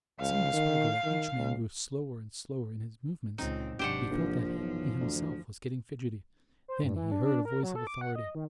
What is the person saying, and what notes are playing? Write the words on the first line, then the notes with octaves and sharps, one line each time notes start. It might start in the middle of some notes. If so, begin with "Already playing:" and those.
It seemed to Spargo that each man grew slower and slower in his movements; he felt that he himself was getting fidgety. Then he heard a voice of authority.
C#2 F5
D#3
D#3
C#2
C#2 A#2 C4 D#4
G#1 C3 F#3 D4 G4 C5 F#5
A#1 F3
B1 F#2 E3
D2
C5
G2
E3
D4
D4
A#4
F#3
A4
D6
F#5
D#5
D#3